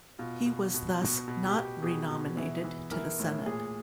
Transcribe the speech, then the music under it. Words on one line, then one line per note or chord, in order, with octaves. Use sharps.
He was thus not renominated to the Senate.
B2 F4
B2
B2
B2
B2
G4
B2
B2 G#4
B2
E3
E3
E3 A#4
A2
A#2 G#4